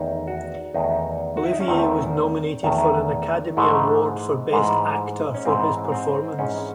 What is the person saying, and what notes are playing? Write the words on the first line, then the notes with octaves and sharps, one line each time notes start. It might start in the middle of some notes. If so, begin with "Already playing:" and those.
Olivier was nominated for an Academy Award for Best Actor for his performance.
Already playing: E2 D#3 A3 D#4
F#4
E2 D#3 A3 D#4
F#4
E4
D#4
C#4
E2 D#3 A3 C4
E2 D#3 A3
G#2 E3 G#3 A3
G#2 E3 G#3
C#4
G#2 E3 G#3 C4
C4
G#2 E3 G#3 C#4